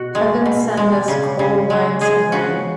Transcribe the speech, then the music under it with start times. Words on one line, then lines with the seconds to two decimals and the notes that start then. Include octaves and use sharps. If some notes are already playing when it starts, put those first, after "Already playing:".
Heaven send us cold nights and rain!
Already playing: B2 F#4
0.15 G#3
0.46 B2
0.77 G#3
1.08 C#3
1.39 C#3
1.70 G#3
2.01 G#3 G#4
2.32 C#3 F#4